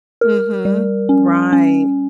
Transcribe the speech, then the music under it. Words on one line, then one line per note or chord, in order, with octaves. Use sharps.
Mhm. Right.
A#4
G3
C#4
C#4